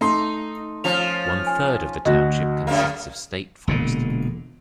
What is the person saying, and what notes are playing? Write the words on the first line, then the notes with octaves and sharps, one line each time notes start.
One-third of the township consists of State Forest.
A3 D#4 C6
F3 C#4 F7
G#5
D2 F#4 D#5
F#2 C#3 A#3
E1 A#2 D3